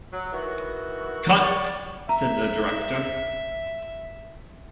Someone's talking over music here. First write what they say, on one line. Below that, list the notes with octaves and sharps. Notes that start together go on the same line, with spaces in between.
'Cut', said the director.
F#3
D#3 E3 F#4
C#5 D5 C#6
E5 A#5